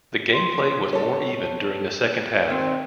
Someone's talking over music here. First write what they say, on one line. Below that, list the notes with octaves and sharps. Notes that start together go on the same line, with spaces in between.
The game play was more even during the second half.
C6
A4 C#5
D#3 C4